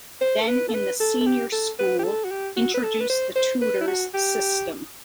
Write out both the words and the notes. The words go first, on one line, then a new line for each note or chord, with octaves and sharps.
Then in the Senior School introduce the Tutors system.
C5
A4
B4
A4
B4
A4
A4
G4
A4
B4
G4
A4
F#4
G4
F#4
B4
A4
B4
C5
C5
B4
E4
F#4
G4